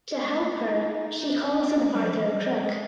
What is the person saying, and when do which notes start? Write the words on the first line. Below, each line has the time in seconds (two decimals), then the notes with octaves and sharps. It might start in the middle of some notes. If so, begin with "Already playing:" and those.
To help her she calls in Arthur Crook.
0.23 G#3
0.31 A3
0.39 A#3
0.49 D4
0.57 D#4
1.21 D#4
1.26 D4
1.43 C#4
1.60 C4
1.68 D4
1.77 A#3
1.86 G#3
1.94 G3
2.03 F3
2.12 E3
2.19 F3
2.28 G3
2.62 G#3